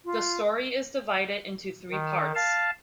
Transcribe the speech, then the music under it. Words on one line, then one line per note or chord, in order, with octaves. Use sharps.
The story is divided into three parts.
F4
D#3
F5 A5